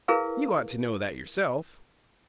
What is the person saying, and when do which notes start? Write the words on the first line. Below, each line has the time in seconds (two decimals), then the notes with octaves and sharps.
You ought to know that yourself.
0.08 E4 G#4 A#4 B4 F5